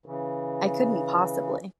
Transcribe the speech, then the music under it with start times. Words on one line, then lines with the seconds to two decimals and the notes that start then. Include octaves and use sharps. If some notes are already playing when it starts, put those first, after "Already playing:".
I couldn't possibly.
0.06 C#3 E3